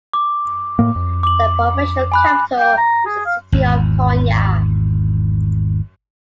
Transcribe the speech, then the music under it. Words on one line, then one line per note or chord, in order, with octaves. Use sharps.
The provincial capital is the city of Konya.
D6
A2 A#3
F2
D6 F#7
G#5 B5 F#6
G5
A#5
G#4
F5
G#1 E2